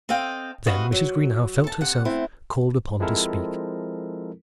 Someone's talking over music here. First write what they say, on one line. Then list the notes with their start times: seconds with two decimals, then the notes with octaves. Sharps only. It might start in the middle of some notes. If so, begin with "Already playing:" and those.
Then Mrs. Greenow felt herself called upon to speak.
0.09 C4 A4 D#5 F5 G5
0.66 C3 F#4 B4 D#5 F5
0.92 F#3
1.64 A4 A5
1.81 C3 F#5
2.05 A3 C4 E4
3.00 F3 G#3 C4 E4 A4 A#4